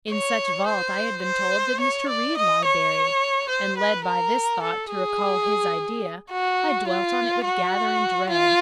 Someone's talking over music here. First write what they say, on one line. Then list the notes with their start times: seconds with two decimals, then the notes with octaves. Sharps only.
In such vault I had been told did Mr. Reed lie buried; and led by this thought to recall his idea, I dwelt on it with gathering dread.
0.11 C#5
0.66 C5
1.23 C5
1.80 C#5
2.09 D5
2.37 D#5
2.65 C#5
3.49 C5
3.77 B4
4.05 A#4
4.62 A4
4.91 G#4
6.32 F#4
6.88 F4
7.45 F#4
8.29 F4